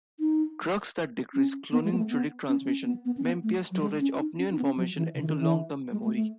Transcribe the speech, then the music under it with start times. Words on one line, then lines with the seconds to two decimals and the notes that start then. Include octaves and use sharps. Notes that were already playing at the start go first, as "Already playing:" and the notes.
Drugs that decrease cholinergic transmission may impair storage of new information into long-term memory.
0.20 D#4
1.34 C#4
1.72 B3
1.84 G#3
1.92 B3
1.97 A3
2.10 B3
2.48 C#4
2.67 C#4
2.86 B3
3.05 B3
3.17 C#4
3.24 B3
3.43 A3
3.71 F#3
3.82 G#3
4.00 C#4
4.20 D#4
4.38 C#4
4.52 D#4
4.58 B3
4.64 C#4
4.77 F#3
4.96 E3
5.14 C#3
5.22 E3
5.27 D#3
5.40 E3
5.92 G#3
6.03 A3
6.17 A3